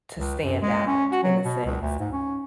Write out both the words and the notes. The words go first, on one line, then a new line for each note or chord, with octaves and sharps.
to stand out in a sense,
C#2
F#2
G#3
C#4
F#4
F#3
B2
C#2
D2
G#2
C#4